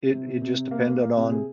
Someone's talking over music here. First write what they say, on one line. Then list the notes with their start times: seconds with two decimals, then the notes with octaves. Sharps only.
It it just depended on
0.12 C3
0.27 C3
0.42 C3
0.57 C3
0.71 A#3
0.86 A#3
1.02 A#3
1.16 C3
1.31 G#4